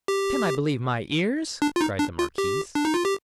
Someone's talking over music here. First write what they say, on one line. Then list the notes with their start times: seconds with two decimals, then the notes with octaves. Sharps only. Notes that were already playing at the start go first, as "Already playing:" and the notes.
"Can I believe my ears?" cried the marquise.
0.08 G4
1.62 D4
1.76 F4
1.81 D#4
1.99 D4
2.19 F4
2.38 G4
2.75 D4
2.85 D#4
2.94 F4
3.05 G4